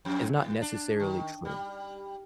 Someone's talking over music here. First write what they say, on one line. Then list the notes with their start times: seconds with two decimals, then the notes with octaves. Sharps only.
is not necessarily true.
0.05 F2
0.37 G#2
0.62 D4
1.00 D#3
1.45 G3